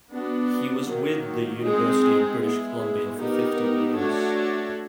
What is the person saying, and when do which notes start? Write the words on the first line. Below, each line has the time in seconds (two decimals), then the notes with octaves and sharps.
He was with the University of British Columbia for fifty years.
0.11 B3 D4 F#4
0.87 D#3 F#3 A#3
1.64 G#3 C4 D#4 G#4
2.41 G#3 B3 E4 G#4
3.18 B3 D#4 G4 A#4
3.95 A3 D4 F#4 A4 C#5